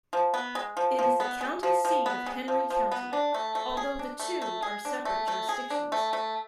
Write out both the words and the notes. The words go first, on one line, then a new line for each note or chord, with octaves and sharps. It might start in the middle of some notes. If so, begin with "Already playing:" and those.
It is the county seat of Henry County, although the two are separate jurisdictions.
F3
B3
G#3
F3
F3
B3
G#3
F3
F3
B3
G#3
F3
F3
B3
D4
A3
A3
G#4
D4
A3
A3
G#4
D4
A3
A3
G#4
D4
A3
A3